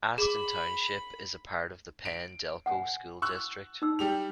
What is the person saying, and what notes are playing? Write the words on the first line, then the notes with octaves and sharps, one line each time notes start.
Aston Township is a part of the Penn-Delco School District.
G#4 B5 D6
D7
F#5 G#5
C#6 E6 F#6
D#4 E6
G3 G4 F7